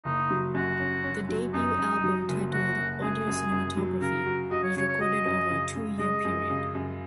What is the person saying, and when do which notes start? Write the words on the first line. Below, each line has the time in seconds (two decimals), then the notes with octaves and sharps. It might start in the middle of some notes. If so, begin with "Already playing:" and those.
The debut album titled 'Audio Cinematography', was recorded over a two-year period.
0.05 F#1 D#4
0.30 F#3
0.55 F#2 F#4
0.80 C#4
1.04 C#4
1.29 F#3
1.54 F#2 D#4
1.78 F#2
2.04 F#3
2.29 F#1
2.52 F#1 F#4
2.78 F#1
3.02 F#2 G#4
3.27 F#2
3.52 F#2
3.77 F#3
4.01 C#3 A#4
4.26 F#4
4.51 F#4 D#5
4.63 C#5
4.76 C#3 C#5
4.88 C#5
5.00 F#4 D#5
5.26 F#2
5.50 C#3
5.75 C#3
5.99 G#3 D#5
6.25 F#2
6.50 C#3
6.75 F#2